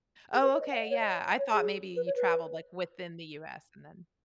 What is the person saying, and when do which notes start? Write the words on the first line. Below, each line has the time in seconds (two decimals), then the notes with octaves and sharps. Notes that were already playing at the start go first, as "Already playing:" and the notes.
Oh, okay, yeah. I thought maybe you traveled, like, within the US and then
0.33 G#4
0.41 B4
0.52 C#5
0.61 D#5
0.71 F#5
0.80 D#5
0.90 C#5
1.00 D#5
1.38 C#5
1.53 G#4
1.96 B4
2.06 C#5
2.16 B4